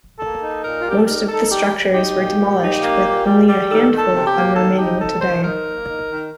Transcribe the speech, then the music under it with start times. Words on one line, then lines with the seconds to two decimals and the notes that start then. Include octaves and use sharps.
Most of the structures were demolished with only a handful of them remaining today.
0.20 A#3 A4
0.41 D#4
0.63 A#2 A#4
0.80 F4
0.85 G3 G4
0.98 A4
1.07 D#4 A#4
1.28 D#4 A4
1.50 G3 G4
1.73 G3
1.94 D#4 G4
2.16 A#2
2.38 A#2
2.60 D#4
2.81 A#3
3.03 A#2
3.26 G3
3.47 G3
3.69 D#3 A4
3.90 D#3
3.98 A4
4.13 C3
4.28 G4
4.35 A#3
4.56 D#3 A4
4.79 D#4 G4
5.00 C3 A4
5.22 D#3 C5
5.44 D#4 A#4
5.66 A#3
5.88 D#4
6.09 D#3